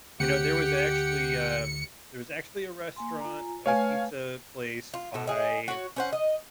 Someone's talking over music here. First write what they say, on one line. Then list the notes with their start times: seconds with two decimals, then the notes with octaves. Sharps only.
You know, there was actually, um, there was actually a restaurant, a pizza place by,
0.20 D2 G4 F#5 G5 C#7
2.96 A#3 G#5 C6
3.20 F4 G#5 A#5
3.66 A3 B4 C#5 F5 G#5
4.94 F4
5.14 B2 A4
5.27 G#4 D#5
5.68 F#4 C#5
5.96 C#4 C5 F#5
6.13 D#5